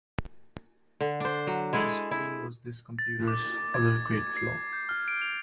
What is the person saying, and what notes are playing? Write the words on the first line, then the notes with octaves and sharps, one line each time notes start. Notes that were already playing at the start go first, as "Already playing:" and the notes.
The screen was this computer's other great flaw.
D3
D4 C5
F#3
G#3 E4 G#4 A4
E4
A6
D6
G#6
C7
G6
F6
D7
F7